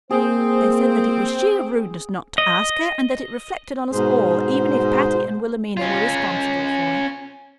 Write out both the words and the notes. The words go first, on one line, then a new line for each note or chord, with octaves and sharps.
They said that it was sheer rudeness not to ask her, and that it reflected on us all, even if Patty and Wilhelmina were responsible for it.
A#3 C4 G#4 C5
D#5
G#2 B2 G#4 C5
C#4 F4